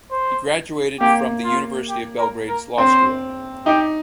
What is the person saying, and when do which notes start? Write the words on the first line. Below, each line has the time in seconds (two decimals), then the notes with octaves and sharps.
He graduated from the University of Belgrade's Law School.
0.11 C5
1.00 A#3 G4
1.44 F4
1.89 G4
2.18 A#4
2.48 A#4
2.78 C4 C5
3.66 D#4 G4